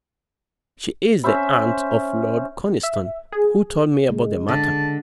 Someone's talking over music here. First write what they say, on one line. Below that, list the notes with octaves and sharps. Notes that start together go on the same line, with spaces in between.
"She is the aunt of Lord Conniston, who told me about the matter."
C#4 C5 E5 B5
E5
G#4
C#3 G#3
D3 A5